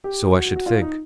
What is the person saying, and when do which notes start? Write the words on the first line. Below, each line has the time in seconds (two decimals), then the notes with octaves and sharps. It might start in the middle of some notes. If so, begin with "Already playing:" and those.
"So I should think."
0.04 G4
0.35 F#4
0.46 F#4
0.56 F#4
0.66 F4
0.81 D#4